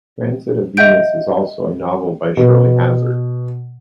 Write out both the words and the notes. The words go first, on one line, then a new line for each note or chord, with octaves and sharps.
"Transit of Venus" is also a novel by Shirley Hazzard.
D#5 E5 F#5 G6 D7
B2